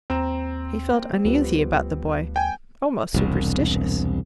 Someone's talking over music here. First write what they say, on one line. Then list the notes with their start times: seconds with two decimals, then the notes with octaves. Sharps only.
He felt uneasy about the boy--almost superstitious.
0.10 D#2 C4 A#5 E7
0.91 A#3
1.24 D2 F3 G3 B3
2.36 G5 G#5
3.14 E1 C2